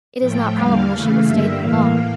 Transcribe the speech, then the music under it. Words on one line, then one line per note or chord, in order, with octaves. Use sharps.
It is not probable she will stay there long.
A2 F3 A3 G5
E2 D3 G3 A#3 F5
C#3 E3 A3
G2 D3 G3 A#3 E5
A2 E3 A#3 F5